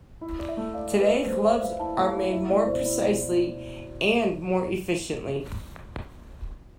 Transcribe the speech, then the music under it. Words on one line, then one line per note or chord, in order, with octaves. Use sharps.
Today, gloves are made more precisely and more efficiently.
E4
D5
E5
A3
D5 F5
D5
B4
D5
A3 C5
D5 E5
B4 F5
E4 A5
A3
F5
E4
E4 E5
A3 D5
B2 C5
E4
B2
E4